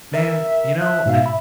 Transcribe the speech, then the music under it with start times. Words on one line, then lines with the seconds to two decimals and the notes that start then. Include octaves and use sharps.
Man, you know,
0.14 A#4 E5
0.80 E5 F#6
1.06 G#2 B2 E5 F5
1.26 B5